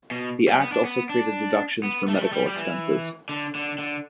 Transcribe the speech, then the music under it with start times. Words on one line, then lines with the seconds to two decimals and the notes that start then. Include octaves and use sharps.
The Act also created deductions for medical expenses.
0.11 B2
0.48 G3
0.61 B3
0.72 D4
0.84 B3
1.10 D4
1.83 B3
2.08 A3
2.15 G3
2.23 A3
2.33 G3
2.47 G3
2.56 E3
3.29 D3
3.55 D3
3.79 D3